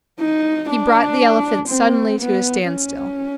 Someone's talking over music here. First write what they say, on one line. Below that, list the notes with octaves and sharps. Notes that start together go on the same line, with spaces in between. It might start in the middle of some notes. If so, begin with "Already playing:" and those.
He brought the elephant suddenly to a standstill.
D#4
D4
C4
B3
C#4